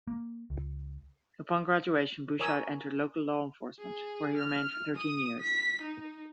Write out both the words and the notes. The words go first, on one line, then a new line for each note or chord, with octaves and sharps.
Upon graduation Bouchard entered local law enforcement where he remained for thirteen years.
A#3
C#2
A#4 C#5 G#5 D#6 E6
G#4
F6
D#6
B6
D#4